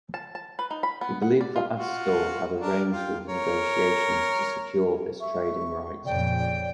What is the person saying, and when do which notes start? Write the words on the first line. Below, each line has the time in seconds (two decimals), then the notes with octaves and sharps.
He believed that Astor had arranged all the negotiations to secure this trading right.
0.14 A5
0.35 A5
0.59 B4
0.71 D#4
0.83 B5
1.01 B3
1.22 F#5
1.41 D5
1.56 F4
1.78 F4 F#4
2.61 D4 A#4
2.92 F4 G5
3.29 A#4 C#5
5.20 E5 C#6
6.05 F2 A#2 C#3 D5 G5
6.39 D5